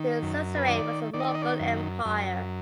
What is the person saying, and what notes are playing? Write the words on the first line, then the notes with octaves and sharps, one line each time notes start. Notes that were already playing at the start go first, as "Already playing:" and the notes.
His suzerain was the Mongol Empire.
Already playing: D#3
F#2
B4
D#3 D5
D#3 D5
D#5
D5
D#5
D5
F#2
F#2